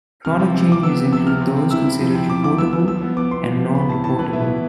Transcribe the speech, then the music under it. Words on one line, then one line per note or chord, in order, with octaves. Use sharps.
Product changes include those considered reportable and non-reportable.
C3 F6
F3
C3
C3 D6
B3 E6
C3
C3 E6
C3 F6
C4
C4
E4 E6
E4
F3
C4
F3 D6
E4 D6
B3 E6
B3 E6
F3 E6
B3
B3 D6
B3 C6
F3
B3
B3 B5
A2 A5
A2 A5
E3 B4
B3 E5
E3